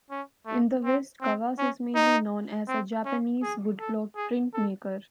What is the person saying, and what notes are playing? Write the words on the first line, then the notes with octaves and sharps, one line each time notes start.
In the West, Kawase is mainly known as a Japanese woodblock printmaker.
C#4
A3
C4
C4
C#4
D#4
C4
C#4
G#4
A4
G#4
A4